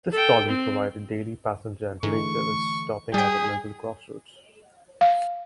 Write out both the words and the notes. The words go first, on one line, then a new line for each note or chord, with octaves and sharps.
This trolley provided daily passenger and freight service, stopping at a local crossroads.
A4 G5
C4
G#2 D3 E3 A3 C#6
G3 G#4 G5 D#6 G6 B6
F5